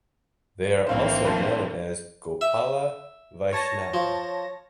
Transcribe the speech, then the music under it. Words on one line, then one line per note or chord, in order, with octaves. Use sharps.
They are also known as Gopala Vaishnava.
B1 A2 D3 E3 A#3 C4 C5 F5
A#2 A3 D4 B4 C5 A5
E5
C#5 A5 A#6
F3